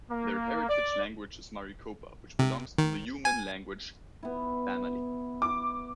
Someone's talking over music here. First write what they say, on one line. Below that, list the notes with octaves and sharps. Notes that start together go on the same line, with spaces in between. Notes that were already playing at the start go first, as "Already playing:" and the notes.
Their heritage language is Maricopa, which belongs to the Yuman language family.
A#3
D5
C3
D#3
G#5
B3 E4
D6